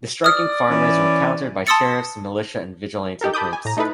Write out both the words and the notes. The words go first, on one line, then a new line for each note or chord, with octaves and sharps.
The striking farmers were countered by sheriffs, militia, and vigilante groups.
D5 D#6 F6
E3 C#4
A5 C6 D#6 E6 A6 C#7
D#4 G4 A4 A#4
A5 B5 D6 D#6 G6
G#5
A2 A#5
A3 D#4 E4 A4 B4